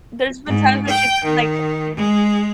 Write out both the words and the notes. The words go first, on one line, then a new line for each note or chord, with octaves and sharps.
There's been times where she's like
G#2
G5
D#3
G#3